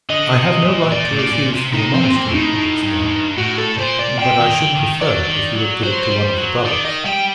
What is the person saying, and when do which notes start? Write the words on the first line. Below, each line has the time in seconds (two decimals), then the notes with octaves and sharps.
"I have no right to refuse for the monastery," he explained, "but I should prefer if you would give it to one of the brothers."
0.10 D3 D#5
0.37 C3
0.65 A#2
0.92 A#2 D5
1.12 A2
1.19 D5
1.33 A#2
1.54 C3
1.73 C3 D#4
1.94 C4
2.01 A#2
2.14 C4
2.28 A2
2.35 D#4
2.56 A2
2.83 G2
3.01 A2
3.10 G2
3.38 A2 F#4
3.58 A4
3.78 A#2 C5
3.99 D5
4.19 C3 G5
4.40 D#3
4.60 D3
4.75 D3
4.81 D#3
5.01 F#3 D5
5.28 D#3
5.56 F#3
5.83 F#3 C5
6.11 G3
6.37 F#3
6.65 D#3 D5
6.85 D#5
7.05 G3 G5